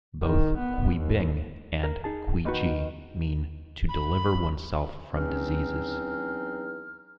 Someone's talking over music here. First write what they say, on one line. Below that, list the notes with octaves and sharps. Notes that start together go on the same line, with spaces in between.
Both "Qubing" and "Qiji" mean to deliver oneself from diseases.
D#3
B3
D#2
A#4
D#4 G#4 A5
D#3 A#3 F#4 B4 G6
B5
E2 F#3 C4 C#4 D#4 F6